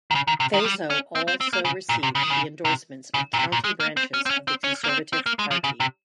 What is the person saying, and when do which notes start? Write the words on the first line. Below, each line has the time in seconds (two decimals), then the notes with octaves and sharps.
Faso also received the endorsements of county branches of the Conservative Party.
0.11 D#3
0.15 C#3
0.28 D#3
0.40 C3
0.54 D#3
0.60 F3
0.66 G3
0.90 C#4
1.15 C4
1.28 C4
1.41 C4
1.53 A#3
1.65 C#3
1.89 A#2
2.03 C3
2.15 C#3
2.23 D#3
2.30 C#3
2.65 C3
3.14 C#3
3.34 A#2
3.39 C3
3.52 A#2
3.64 G#3
3.80 A#3
3.97 C4
4.14 C#4
4.26 C4
4.30 C#4
4.48 C4
4.64 C#4
4.84 A#3
4.89 C4
5.13 C4
5.26 A#3
5.39 G#3
5.51 F3
5.64 C#3
5.80 C3